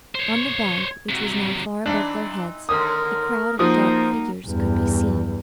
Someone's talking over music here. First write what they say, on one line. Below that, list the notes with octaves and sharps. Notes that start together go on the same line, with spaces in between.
On the bank, which was now far above their heads, a crowd of dark figures could be seen.
C5 C#5
C3 F#3
E3 C4 D4 D#4
D#2 D3 C4 A#4 D#6
F3 A#3 D#4 F#4 A#4 C5 D#6
E2 G2